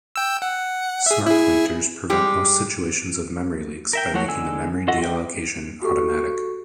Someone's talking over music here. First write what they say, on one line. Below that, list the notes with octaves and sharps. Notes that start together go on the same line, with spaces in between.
Smart pointers prevent most situations of memory leaks by making the memory deallocation automatic.
G5 E6
F#5
G#4 E5
E4 G#4
G3 G#3 G4
A#4 E5 G5
F3 F#3 A3 F#4 C#5
D3 G#3 G#5 E6
F4 F#4 A4 D#5 F#5
D#5 E5 G5
F#4 G4 A4 C#6